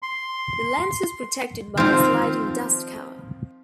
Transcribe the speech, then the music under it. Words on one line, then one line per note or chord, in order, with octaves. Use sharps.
The lens was protected by a sliding dust cover.
C6
D#3 F3 C4 F4